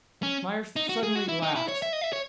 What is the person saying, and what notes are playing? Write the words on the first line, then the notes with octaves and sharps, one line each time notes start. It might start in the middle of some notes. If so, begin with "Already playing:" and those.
Myerst suddenly laughed.
C#4
D#4
F#4
G#4
F#4
E4
D#4
E4
C#5
E5
D#5
E5
C#5